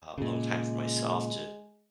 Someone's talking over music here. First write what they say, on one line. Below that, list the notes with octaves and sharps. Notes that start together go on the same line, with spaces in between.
alone time for myself to
A#2 C#3 G#3